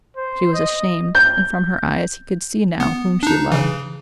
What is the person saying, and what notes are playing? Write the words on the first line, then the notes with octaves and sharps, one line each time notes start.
She was ashamed, and from her eyes he could see now whom she loved.
C5
D#5
G6
B3
D4 D#4
C#3 E3